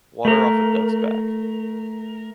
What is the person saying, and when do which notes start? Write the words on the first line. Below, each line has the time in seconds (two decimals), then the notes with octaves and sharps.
Water off a duck’s back.
0.25 A3 A#4